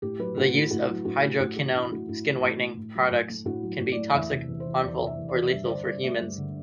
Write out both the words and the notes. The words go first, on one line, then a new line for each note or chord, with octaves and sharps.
The use of hydroquinone skin-whitening products can be toxic, harmful or lethal for humans.
A2 G4
F#3 B4
A2 F#4
A3 E4
A2 F#4
F#3
A2 F#4
A3 E4
A2 F#4
E3 F#4
A2 E4
A3 F#4
A2 E4
E3
A2
A3
A2
F#3
A2
A3
A2 F#4
F#3
A2
A3 D5
E2 E5
C3
E2
C5
E3
E2 D5
C3
E5
E2
D5
E3
G2 E5
C5
D3 D5
G2 D5
A3 E5
G2
D3